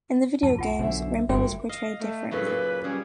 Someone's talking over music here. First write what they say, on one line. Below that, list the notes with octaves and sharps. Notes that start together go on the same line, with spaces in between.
In the video games, Rainbow is portrayed differently.
F2 G#2 B2 A5
B1 F4 F#5 G#5
B1 F#2 B2 D3 C5 E5
G1 G3 A3 E4 F#4 A#4 C#5 G5
D#5 F5
A3
F#2 A2 C#3 B4
A#2
G3 C#4 G#4